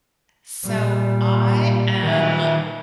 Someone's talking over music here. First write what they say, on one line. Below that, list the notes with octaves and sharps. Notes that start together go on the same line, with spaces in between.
So, I am
A#2 G3
D#3 E5